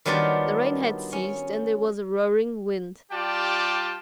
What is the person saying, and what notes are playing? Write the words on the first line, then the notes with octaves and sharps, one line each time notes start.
The rain had ceased and there was a roaring wind.
D#3 F#3 G3 B3 D4 F4
C#4
G3 F4 G4 D5 G5 A5